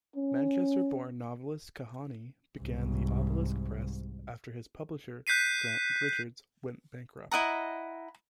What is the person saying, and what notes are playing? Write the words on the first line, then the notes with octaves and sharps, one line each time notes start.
Manchester-born novelist Kahane began the Obelisk Press after his publisher, Grant Richards, went bankrupt.
C#4
C2 G#2
F#6 G6 B6 C7 D#7
E4 D#5 F#5 A#5